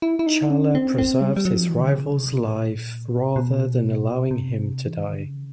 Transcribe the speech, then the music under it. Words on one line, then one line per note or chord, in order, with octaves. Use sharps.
T'Challa preserves his rival's life rather than allowing him to die.
E4
E4
D#4
C#4
C4
C4
G3
G3
F#3
F3
E3
D3
C#3
C3
A#2
B2
C3
E3
D#3
D3
C#3